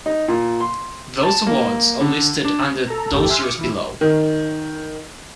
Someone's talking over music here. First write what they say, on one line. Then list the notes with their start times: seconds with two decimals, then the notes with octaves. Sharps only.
Those awards are listed under those years below.
0.06 D#4
0.28 A#2
0.60 C6
1.23 A5
1.47 A#3
2.01 D3
2.44 D4
2.87 A4 A#5
3.11 G1 E2 A2 G4 A4
3.29 E5 G#5 C6 F6 F#6
3.42 D6 D#6 F6 C#7
3.58 E3 E4
4.01 D#3